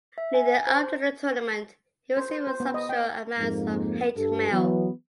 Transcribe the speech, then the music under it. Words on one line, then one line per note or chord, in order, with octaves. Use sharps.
Leading up to the tournament he received substantial amounts of hate mail.
E5
G#5
C5
C5
C5
C5
B3
D#5
G5
F2 G#2 A#3
G2 A4
E3 F#3 B3